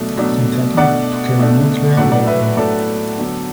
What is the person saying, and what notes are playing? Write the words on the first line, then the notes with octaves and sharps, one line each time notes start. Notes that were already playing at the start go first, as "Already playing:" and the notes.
It was intended to carry a nuclear warhead.
Already playing: B2 F#3 A3 D4
B2 F#3 A3 D4
B2 A3 D4 D5 F#5
B2 A3 D4
A2 F#3 A3 D4 D5 F#5
D5 F#5
B4 E5
B4
A2 F#3 A3 D4 A4 D5
D3 F#3 B3